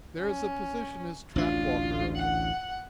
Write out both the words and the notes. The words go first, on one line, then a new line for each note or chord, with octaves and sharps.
There is a position as track-walker open.
C#4
A1 D2 D4 F4
F#5